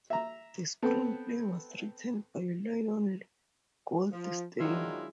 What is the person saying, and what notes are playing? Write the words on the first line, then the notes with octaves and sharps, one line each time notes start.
The screenplay was written by Lionel Goldstein.
E5 A#5
B3 C4 A4
F3
D#3 F#3 G#3 D4 E4 F4